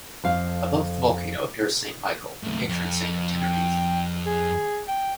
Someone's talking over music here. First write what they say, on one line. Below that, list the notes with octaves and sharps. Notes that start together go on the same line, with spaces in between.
Above the volcano appears Saint Michael, the patron saint of Tenerife.
F2 F5
D#2 A2
F2
G5
G#4
G5